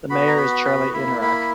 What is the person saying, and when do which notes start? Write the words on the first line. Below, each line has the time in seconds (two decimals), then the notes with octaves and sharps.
The mayor is Charlie Inuarak.
0.10 B3 F#4 B5
0.27 A#5
0.37 B5
0.65 B5
0.93 A#3 E4 B5
1.22 B5